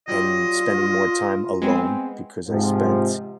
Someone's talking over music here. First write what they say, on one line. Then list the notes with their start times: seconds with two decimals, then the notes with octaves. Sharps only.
and spending more time alone because I spent
0.08 F#3 G3 F4 D5 D#5
1.62 G#3 B3 C4
2.48 G#2 C3 F3